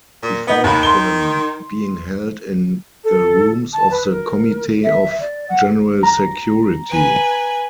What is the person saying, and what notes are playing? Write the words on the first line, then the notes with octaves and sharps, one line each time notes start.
He found them being held in the rooms of the Committee of General Security.
A#2
B3 D#4 F#5
D#2 D#3 B5
C6 G7
A4
A5
B4
A#4
E5
D5
F#5
A#5
B4 G#5